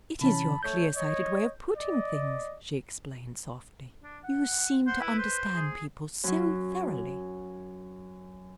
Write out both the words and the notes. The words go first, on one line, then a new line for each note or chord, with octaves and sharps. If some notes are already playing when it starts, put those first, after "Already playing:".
"It is your clear-sighted way of putting things," she explained softly. "You seem to understand people so thoroughly."
C3 E3 C#4 A5 B5
A3 C#5 G6
C#5 D#5
D5 D#5
D4
F#5
C5 F#5
E4 B4
C5
G#4
F#2 F#3